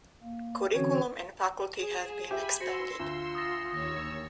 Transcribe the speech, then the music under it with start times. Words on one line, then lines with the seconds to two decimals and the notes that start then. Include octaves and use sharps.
Curriculum and faculty have been expanded.
0.23 A#3
0.74 D3 E3 C4 C#4 F#4 C#5
1.76 G#4 E7
2.31 G4 E5 G#5 B5
2.61 F#4 C5 C6 E6 A#6 C#7
3.00 D2 F4
3.35 D#6 A6 A#6
3.71 D#2 C#5 D#6 E6 A#6